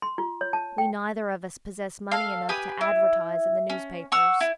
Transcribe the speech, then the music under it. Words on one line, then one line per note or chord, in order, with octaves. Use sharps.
We neither of us possessed money enough to advertise in the newspapers.
C6
F4
C#5
A5
G5
A4 F5
G4 B4 G#5 D#6
E4
C#4
F#5 C#6 E6 F6
E4